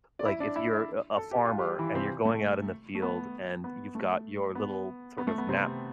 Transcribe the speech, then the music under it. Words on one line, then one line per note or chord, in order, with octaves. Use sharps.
like if you're a a farmer and you're going out in the field and you've got your little sort of knap
D5
E4 E5
D4 D5
E4 E5
A4
G4
F4
G3 G4
E3 E4
C3 C4
A3
A3
B3
B3
A3
B3
B3
A3
B3
C3 C4